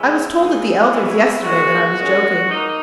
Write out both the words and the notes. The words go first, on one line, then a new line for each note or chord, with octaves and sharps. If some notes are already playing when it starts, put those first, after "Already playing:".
I was told at the elder's yesterday that I was joking.
Already playing: C#3 E3 G#3 C#4 E4
C#3 E3 G#3 D#4
C#3 E3 G#3 C#4 E4
A#2 G#3 B3 F#4
A#2 G#3 C#4
D#3 A#3 D#4